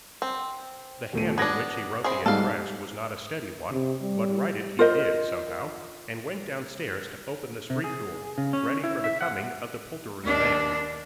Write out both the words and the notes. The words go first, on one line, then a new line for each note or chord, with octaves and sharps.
The hand in which he wrote the address was not a steady one; but write it he did, somehow, and went downstairs to open the street-door, ready for the coming of the poulterer's man.
C4
D#1 A3 D#7
B3 D4 G#6 A#6
C4 E4 G#4
G#2 G3 A4 F5
C3
G3
F4 A#4 C5 D#5
C3
G#4
C#3
C#4
E4
E5
F#5
D#2 D4